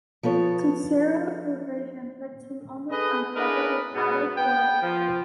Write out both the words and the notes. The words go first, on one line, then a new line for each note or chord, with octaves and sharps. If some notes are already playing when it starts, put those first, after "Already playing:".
Cicero, who heard him, puts him almost on a level with the Attic orators.
F3 B3 A4 C#5
G#4 A4 B4 D#5
D4 E4 G#4 A#4 B4 D#5
G#2 B2 B3
B3 G5
F3